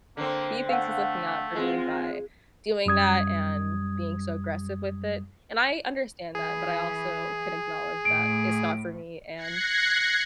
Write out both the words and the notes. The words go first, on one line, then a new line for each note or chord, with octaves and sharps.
He thinks he's looking out for me by doing that and being so aggressive with it, and I understand that, but I also can acknowledge that it's not for me, and
D3 A#3 C4
A3 F5 F#5
G#3 C4 F4
F#2 G3 D#6 G#6
E3 G#4
A2 D7
F#6 G#6 A#6 C7 C#7